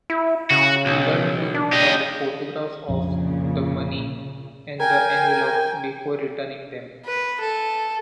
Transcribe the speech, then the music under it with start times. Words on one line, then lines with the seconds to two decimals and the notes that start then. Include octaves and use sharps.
Lunn took a photograph of the money and the envelope before returning them.
0.10 E4
0.51 C#3 F#4
0.86 B1
1.55 D4
1.73 G4 D#5
2.88 A#1 F2 A#2 C#3
4.80 A#4 G5 G#5
7.05 B4
7.41 A4